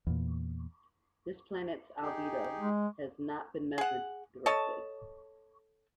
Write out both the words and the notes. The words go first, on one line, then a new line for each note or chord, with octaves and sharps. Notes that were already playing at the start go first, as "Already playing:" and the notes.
This planet's albedo has not been measured directly.
E2 A#2
D#4 G4 G#4
G#3
G#4 F#5
A4 C#5 D#5 A5